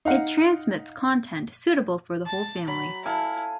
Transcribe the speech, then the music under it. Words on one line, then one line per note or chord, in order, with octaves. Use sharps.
It transmits content suitable for the whole family.
D#4 F5 F#5
A5
F#3 B5
E4 A4 F5 G#5